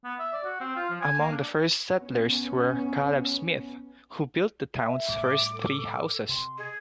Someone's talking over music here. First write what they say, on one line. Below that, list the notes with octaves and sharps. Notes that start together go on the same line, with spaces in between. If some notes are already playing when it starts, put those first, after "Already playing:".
Among the first settlers were Caleb Smith who built the town's first three houses.
B3
E5
D5
F#4
C4
F4
F3
G#5
A#3
D4
B3 C#4
E5
A2 G3 D6
A4
C3 C6
G#4 D#5